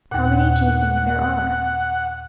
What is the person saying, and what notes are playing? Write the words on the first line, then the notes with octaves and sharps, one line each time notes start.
How many do you think there are?
D#2 A#2 F#5